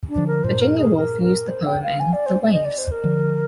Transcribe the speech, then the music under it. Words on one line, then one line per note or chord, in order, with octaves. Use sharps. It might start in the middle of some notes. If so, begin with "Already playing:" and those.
Virginia Woolf used the poem in "The Waves".
D4
D3 F3
A#4
G2 A#2 C5
A#4
G#4
A#4
A#4
C5
G5
F5
G#5
D5
C5
D#5
D5
C5
A#4
D3 F3